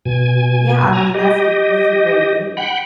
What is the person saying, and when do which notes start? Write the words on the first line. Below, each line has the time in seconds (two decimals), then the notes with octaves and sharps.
Yeah, I mean, that's a that's a great age.
0.05 B2 G#5
0.93 G#5 A#5
1.14 G4 D#5
2.57 F#5 G5 B5